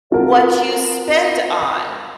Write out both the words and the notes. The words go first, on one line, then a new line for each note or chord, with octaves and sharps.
what you spend on,
C4 F4 F#4 A4 A#4